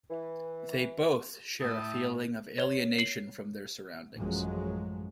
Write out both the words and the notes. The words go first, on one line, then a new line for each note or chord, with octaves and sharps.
They both share a feeling of alienation from their surroundings.
E3
A2 E4 G5 A5 D#6
C#5 G7
C7 F#7
A1 F#2 F3 F#3 G#3